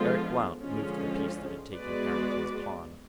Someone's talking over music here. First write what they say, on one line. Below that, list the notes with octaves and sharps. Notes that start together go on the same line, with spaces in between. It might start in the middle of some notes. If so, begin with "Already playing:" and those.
Eric Blount moved the piece that had taken Harrington's pawn.
Already playing: D3 F3 G#3 B3 F4
D3 F3 G#3 C#4 F4
G#3 B3 F#4 B4 D5